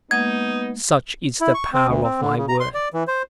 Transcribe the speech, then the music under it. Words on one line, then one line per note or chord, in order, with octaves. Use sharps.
Such is the power of my word!
G#3 A#3 B3 D#4 F#5 G#6
E4
C#6
C4
D2
C4
D3
C#3
A#5
C6
D5
E3
C5